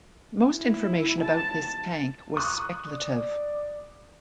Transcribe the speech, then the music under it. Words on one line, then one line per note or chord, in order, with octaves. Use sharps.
Most information about this tank was speculative.
E4
A5
C#6 D#6 F#6
D5